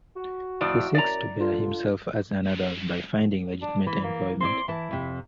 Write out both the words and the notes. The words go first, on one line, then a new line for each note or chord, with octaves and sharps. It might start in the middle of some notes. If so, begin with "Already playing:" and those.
He seeks to better himself as an adult by finding legitimate employment.
F#4
F2 A2 D5
F#2 D5 A#5
D3 F4
D4
E3 B5
A#3
C4 E4 D5 C6
E3 E4 A5
F2 C3